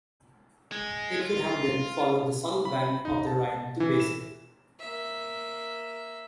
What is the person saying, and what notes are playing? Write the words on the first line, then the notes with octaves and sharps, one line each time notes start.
It would have then followed the south bank of the Rhine to Basel.
G#3
F4
B5
D#4
A5
E3
E7
A#3 E5